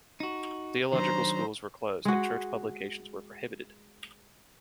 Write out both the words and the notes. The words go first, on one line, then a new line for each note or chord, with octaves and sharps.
Theological schools were closed, and church publications were prohibited.
D#4 F#4
D#3 F#3 D4 C5 A#5
G#3 F#4